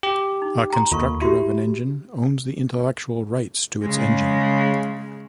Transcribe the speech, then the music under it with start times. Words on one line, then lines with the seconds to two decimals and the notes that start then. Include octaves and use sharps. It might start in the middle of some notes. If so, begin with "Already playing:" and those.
A constructor of an engine owns the intellectual rights to its engine.
0.03 G4
0.42 D#4
0.70 G5 A#5 C6
0.92 D#2 F4 A4 C#6
1.22 E4 F#4 G4
3.83 C#3 G#3